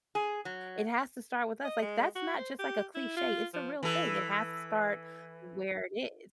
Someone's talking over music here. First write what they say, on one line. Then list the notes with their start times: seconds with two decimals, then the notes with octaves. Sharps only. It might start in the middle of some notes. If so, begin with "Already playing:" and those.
it has to start with us. Like, that's not just, like, a cliche, it's a real thing. It has to start where it is.
0.15 G#4
0.45 F#3
1.65 D#5
1.82 G#3
2.16 F#4
2.38 C5
2.59 G4
2.95 E4
3.17 F4
3.54 F3
3.83 E3 A4